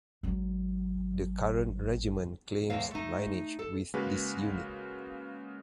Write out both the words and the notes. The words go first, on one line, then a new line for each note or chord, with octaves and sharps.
The current regiment claims lineage with this unit.
G#1 F#3
E2 A2 G#3 C5 C#5 F5
A3 D#4
A4
C#3 G#3 A#3 F#4 B4